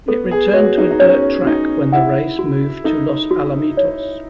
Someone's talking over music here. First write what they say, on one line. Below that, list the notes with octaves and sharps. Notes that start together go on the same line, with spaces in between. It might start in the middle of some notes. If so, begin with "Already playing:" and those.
It returned to a dirt track when the race moved to Los Alamitos.
B3 A4
G#4
F#4 C#5
D#4
D#4
C#4 C#5
D#4 F#4
E4 F#5
F#4
D#4 A4
F#4
C#5